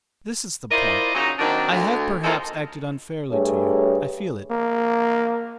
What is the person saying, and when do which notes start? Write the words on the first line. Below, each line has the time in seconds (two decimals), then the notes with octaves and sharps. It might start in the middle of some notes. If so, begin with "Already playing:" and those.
This is the point: I have perhaps acted unfairly to you; I feel it.
0.71 E4 F4 A#4 C5 D5 D#5
1.15 A#2 C#3 F#3 D#4
1.39 D#3 F#3 A#3 C4 D4
1.70 D2
2.24 D#3 F3 G#3 A#3 A4
3.31 G2 A3 G#4 C#5
4.51 A#3